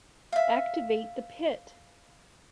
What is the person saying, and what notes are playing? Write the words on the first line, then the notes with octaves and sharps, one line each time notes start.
Activate the pit!
E5 F5